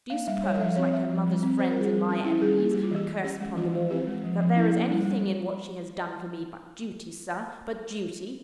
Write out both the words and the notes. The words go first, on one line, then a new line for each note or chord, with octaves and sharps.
Do you suppose, like her mother's friends and my enemies--a curse upon them all!--that there is anything in what she has done for me but duty, sir, but duty?
A#3 F5
G3 E5
G3 C#5
F5
F3 E5
C4 C#5
C4 E5
F3
G3
C4
C4 C5
A#4
G3 G#4
G3
C#4 F4
C#4 E4
G3 G#4
A#3 G#4
G3 G4
F4
E3 G4
E3
C#4 G4
G#3
E3 F4
E3
C4 G4
G#3
F3
F3
C#4 E4
A#3
G3
G3